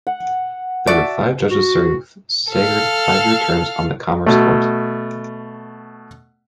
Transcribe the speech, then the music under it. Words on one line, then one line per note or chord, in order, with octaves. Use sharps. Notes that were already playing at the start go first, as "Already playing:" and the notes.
There were five judges serving staggered five-year terms on the Commerce Court.
F#5
F#4 D5 E5 A5
F#4
A4 F5
B2 A3